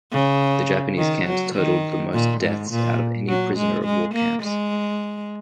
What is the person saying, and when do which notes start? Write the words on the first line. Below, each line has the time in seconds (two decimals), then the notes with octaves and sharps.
The Japanese camps totalled the most deaths out of any prisoner of war camps.
0.12 C#3
0.98 D#3
1.27 F#3
1.56 D#3
2.13 A#2
2.41 G#2
2.71 A#2
3.28 F#3
3.57 G#3
3.84 G#3
4.14 A#3
4.43 G#3